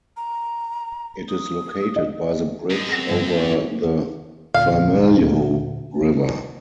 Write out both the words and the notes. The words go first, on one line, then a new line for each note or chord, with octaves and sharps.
It is located by the bridge over the Vermelho River.
A#5
D#6
D#5
F#2 A2 D#5
C4 G#4 F#5
G2 B2 D3
A#3 E4 A4
D#2 A#2 D3 F5